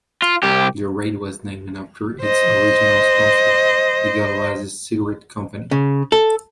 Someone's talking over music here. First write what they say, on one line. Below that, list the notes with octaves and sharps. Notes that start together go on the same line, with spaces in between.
The Raid was named after its original sponsor, the Gauloises Cigarette Company.
F4
C2 G4
C5 D#5
C#3
A4